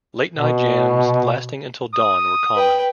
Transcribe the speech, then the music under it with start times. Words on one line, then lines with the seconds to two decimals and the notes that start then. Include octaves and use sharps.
Late-night jams lasting until dawn were common.
0.38 B2
1.94 D#6
2.55 B4 G5